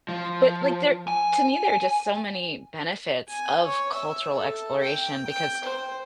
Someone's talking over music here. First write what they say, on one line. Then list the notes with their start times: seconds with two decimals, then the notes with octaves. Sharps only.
But, like, there to me, there are just so many benefits of cultural exploration because
0.09 F3
1.08 G#5
3.29 G#5
3.66 C#5
3.94 E5
4.37 A4
4.82 G5
5.27 G5
5.64 C5